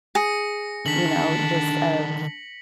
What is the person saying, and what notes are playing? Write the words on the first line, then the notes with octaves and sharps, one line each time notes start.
you know, gist of
G#4 A#6 C#7
D3 D#3 D4 B6 F#7